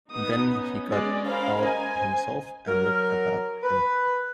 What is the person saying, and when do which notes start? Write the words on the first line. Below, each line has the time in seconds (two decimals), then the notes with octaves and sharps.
Then he got out himself and looked about him.
0.11 B3 D#4 D#6
0.51 C#4
0.92 G#3 D5
1.26 A#4 C5 F5 B5
1.63 C5 D#5 G#5 A#5
2.67 F#3 A#4
3.63 B4